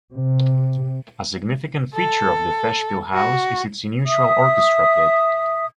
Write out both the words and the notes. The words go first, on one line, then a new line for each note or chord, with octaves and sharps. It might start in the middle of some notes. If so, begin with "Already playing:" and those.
A significant feature of the Festspielhaus is its unusual orchestra pit.
C3
A4
F#4
E5 D#6